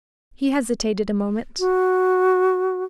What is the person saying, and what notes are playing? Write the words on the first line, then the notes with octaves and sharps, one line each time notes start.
He hesitated a moment.
F#4